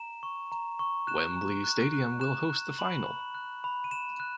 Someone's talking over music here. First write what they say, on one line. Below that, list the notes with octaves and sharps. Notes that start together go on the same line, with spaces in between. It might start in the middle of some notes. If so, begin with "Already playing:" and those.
Wembley Stadium will host the final.
Already playing: A#5 E7
C#6
A#5
C#6
F#6 E7
A#5
F#6
F#6
F#6 E7
F#6
B5 F#7
B5
F#6
B5
D#7
B5 E7
F#6